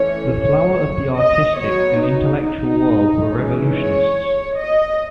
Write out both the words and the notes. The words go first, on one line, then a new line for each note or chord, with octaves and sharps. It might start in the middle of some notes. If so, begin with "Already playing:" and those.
The flower of the artistic and intellectual world were revolutionists.
Already playing: E3 A3 C#4 C#5
C#5
D#5
F#3 B3 C#5
D#4
D#4
E3 G#3 C#4
C#5
D#5